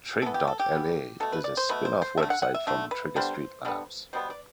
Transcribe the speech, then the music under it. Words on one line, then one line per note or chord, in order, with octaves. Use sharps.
Trigg.la is a spin-off website from Trigger Street Labs.
E3 B3 A4
G4
A4
G4
E3 B3
B2 A3 A4
B4
D5
C5
B2 A3 B4
C5
C5
D3 E5
A3
F#5
F#5
E5
D3 A3
B4
D3 G3 B3 C5
D3 G3 B3
B2 G3 B3 C5
D5